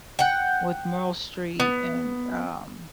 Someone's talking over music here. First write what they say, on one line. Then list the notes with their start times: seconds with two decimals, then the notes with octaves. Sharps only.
with Meryl Streep and um
0.19 F#5 G5
1.60 B3